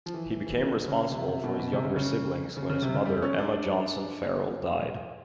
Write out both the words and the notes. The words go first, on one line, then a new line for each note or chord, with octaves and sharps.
He became responsible for his younger siblings when his mother Emma Johnson Farrell died.
F3
E3
E3
E3
D3
C#3
C3
C3
B2
B2
C3
C#3
C#3
C#3
C#3
C3
C#3
G3
C#4
D4